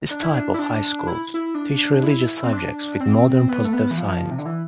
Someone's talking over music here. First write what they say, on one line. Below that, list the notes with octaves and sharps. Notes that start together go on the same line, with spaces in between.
This type of high schools teach religious subjects with modern positive science.
D4
E4
D4
E4
D4
E4
E4
D4
E4
C4
D4
C4
B3
A3
B3
E3
F3
C3
D3
E3